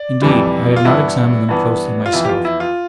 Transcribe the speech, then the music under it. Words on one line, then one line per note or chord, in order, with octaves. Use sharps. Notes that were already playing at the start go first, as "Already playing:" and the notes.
Indeed, I had not examined them closely myself.
Already playing: D5
F2 C3 E3 G3
F4
G2 E3 B3 E4
G2 E3 B3
F4
F2 E3 B3 E4
G4
F4
E4
F4